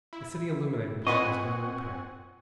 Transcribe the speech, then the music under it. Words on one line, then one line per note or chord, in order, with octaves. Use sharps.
The city illuminating plant was being repaired.
E4
C4 F4 B4 C5 D#5 F#5 G#5 C#6